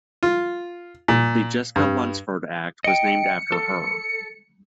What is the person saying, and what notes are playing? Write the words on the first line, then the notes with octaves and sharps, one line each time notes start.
The Jessica Lunsford Act was named after her.
F4
A#2
G2
D#5 G5 C#7
A4